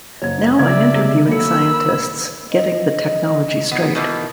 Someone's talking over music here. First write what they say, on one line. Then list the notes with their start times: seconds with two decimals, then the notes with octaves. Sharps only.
Now I'm interviewing scientists, getting the technology straight.
0.22 F#1 C#5 G#6
0.59 C#3 D5 E5 G#6
0.93 C3 G#3
1.28 F#3 A#3 A4 B5 E6 C#7
1.60 A#4
2.52 D#5
3.71 B3
3.95 B2 D#3 E3